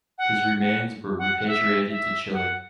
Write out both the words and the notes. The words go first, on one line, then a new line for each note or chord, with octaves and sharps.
His remains were repatriated to Chile.
F#5
F#5
F#5
F#5
E5
E5
F#5